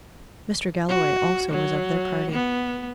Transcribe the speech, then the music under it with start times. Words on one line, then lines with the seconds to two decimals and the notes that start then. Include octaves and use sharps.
Mr. Galloway also was of their party.
0.88 F#4
1.51 F#3
2.32 B3